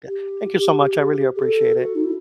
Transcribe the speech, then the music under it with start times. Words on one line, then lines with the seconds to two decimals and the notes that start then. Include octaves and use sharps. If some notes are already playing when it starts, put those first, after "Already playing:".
Yeah. Thank you so much, I really appreciate it.
0.07 G4
1.35 G#4
1.43 A4
1.77 F#4
1.95 D#4
2.04 E4